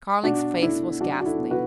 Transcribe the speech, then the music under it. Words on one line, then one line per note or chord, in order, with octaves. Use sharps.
Carling's face was ghastly.
B2 D4 F#4
A3 E4
F#3 D4 F#4
F#4
E4 A4
B3
F#4 B4